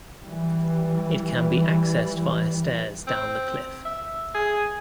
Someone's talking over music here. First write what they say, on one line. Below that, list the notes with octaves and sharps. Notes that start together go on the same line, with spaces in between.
It can be accessed via stairs down the cliff.
E3 G3
C4
E5
G#4